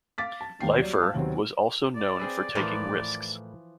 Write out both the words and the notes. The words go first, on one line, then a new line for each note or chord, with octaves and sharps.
Leifer was also known for taking risks.
F5 D6 A6 B6
A5
D#2 A#3 G5 C7
F#3 G3 D5
F5 A5
D#2 C3 D#3 F#3 B3 C4
D5
C4 G#4 B4
A2 E3 F3 A#4 B4